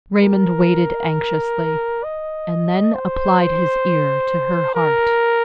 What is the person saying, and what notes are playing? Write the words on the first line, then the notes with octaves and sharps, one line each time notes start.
Raymond waited anxiously, and then applied his ear to her heart.
A#4
D#5
C5
A#4